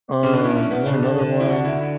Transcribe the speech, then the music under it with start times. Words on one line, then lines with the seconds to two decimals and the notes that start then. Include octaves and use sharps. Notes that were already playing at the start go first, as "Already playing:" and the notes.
um, and then another one
0.23 C#3 C#4
0.33 D3 D4
0.44 C#4 E4
0.55 C#4 E4
0.71 B3
0.86 C#3 D4
1.02 D3
1.18 D3
1.40 E4
1.49 F#4
1.65 E4
1.80 E4